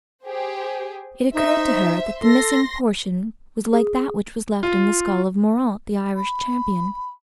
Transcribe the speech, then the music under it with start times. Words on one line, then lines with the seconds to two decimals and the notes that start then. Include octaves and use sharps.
It occurred to her that the missing portion was like that which was left in the skull of Moraunt, the Irish champion.
0.23 G4 G#4 C5
1.34 D#4 C5 E5
2.22 A4 C6 A#6
3.73 G#4
4.63 F4
6.15 B5